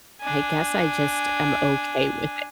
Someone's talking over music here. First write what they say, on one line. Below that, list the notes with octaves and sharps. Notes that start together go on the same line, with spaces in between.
I guess I just am okay with
D4 G#5